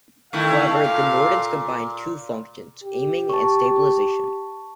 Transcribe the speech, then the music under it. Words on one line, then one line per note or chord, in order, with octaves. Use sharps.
However, the Norden combined two functions, aiming and stabilization.
D#3 A3 E4 A4 F5
A#2
G4
A5 C#6